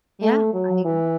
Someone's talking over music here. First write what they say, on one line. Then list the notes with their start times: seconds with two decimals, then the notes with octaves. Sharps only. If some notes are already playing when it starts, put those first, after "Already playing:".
Yeah. I agree.
0.22 A3
0.54 F#3
0.85 E3